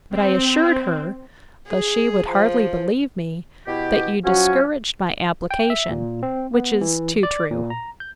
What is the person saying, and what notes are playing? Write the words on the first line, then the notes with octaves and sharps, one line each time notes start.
But I assured her, though she would hardly believe me, that you discouraged my application: which is too true!
C4
G#4
F3
B2 E4 G4
F3 F#3 C#4 F#4
G5
E5
A#2
C4
B3
E3
D5
A#2
A#5
G6